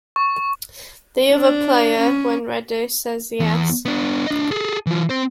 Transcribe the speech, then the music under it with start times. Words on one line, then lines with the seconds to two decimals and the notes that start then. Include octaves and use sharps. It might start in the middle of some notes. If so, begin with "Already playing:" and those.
The other player, when ready, says "Yes".
0.16 C#6
1.31 D4
1.99 C#4
3.40 E2
3.86 B3 D4
4.27 D4 D#5
4.51 G#4 A4
4.86 E3 F4
5.10 C4 C5